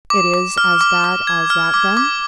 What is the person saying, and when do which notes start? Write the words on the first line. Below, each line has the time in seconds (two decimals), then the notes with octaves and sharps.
"It is as bad as that, then?"
0.10 D6
0.34 D6
0.58 F6
0.81 D6
1.04 D6
1.27 G#6
1.50 F6
1.74 D6
1.97 D6